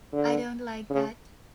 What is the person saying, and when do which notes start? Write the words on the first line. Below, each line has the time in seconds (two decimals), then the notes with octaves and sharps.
I don't like that.
0.13 D3
0.90 C#3